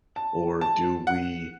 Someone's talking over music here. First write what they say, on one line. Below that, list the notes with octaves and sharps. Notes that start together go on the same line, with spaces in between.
Or do we
A5
A5
F#5